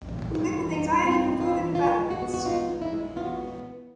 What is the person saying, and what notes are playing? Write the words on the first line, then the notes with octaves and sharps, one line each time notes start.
We look with anxiety for further developments.
G2
G2
E3
G2
C4 F4
G2
F4
E3
D#3 F4
G#3
F#4
B3
F#4
D#4 F4
G#3
E4
G#3
B3 F4
F#4